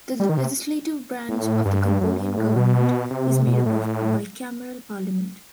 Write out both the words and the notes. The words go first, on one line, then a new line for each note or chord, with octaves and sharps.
The legislative branch of the Cambodian government is made up of a bicameral parliament.
G3
D#3
C3
A2
G2
F#2
G2
A2
B2
C3
B2
A2